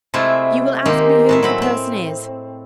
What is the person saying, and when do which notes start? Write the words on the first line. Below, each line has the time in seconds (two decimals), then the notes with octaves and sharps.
You will ask me who the person is.
0.14 C3 G#3 A3 E4 F4
0.85 D#3 G#3 A#3 C4 G4
1.29 A2 G#3 E5
1.43 F#3 C4 B5
1.62 C4